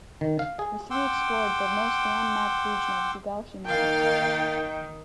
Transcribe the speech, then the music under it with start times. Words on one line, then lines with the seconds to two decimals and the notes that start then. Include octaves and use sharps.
The three explored the mostly unmapped region of Jugal Himal.
0.21 D#3
0.39 F5
0.59 G#4
0.90 F#5 G5 C6 D6 E6
3.66 D#3 A#3 F5 G5 A6